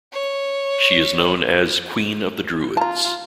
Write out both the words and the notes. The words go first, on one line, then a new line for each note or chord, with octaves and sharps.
She is known as "Queen of the Druids".
C#5
F4 A5 A#5